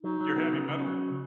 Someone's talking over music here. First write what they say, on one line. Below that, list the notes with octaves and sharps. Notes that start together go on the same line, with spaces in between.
Your heavy metal?
F#3 D#4
F#3
B3
C#3
C#3
F#3